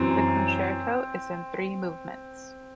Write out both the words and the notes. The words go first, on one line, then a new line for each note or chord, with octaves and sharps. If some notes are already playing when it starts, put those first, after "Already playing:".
The concerto is in three movements.
Already playing: F#2 E3 C4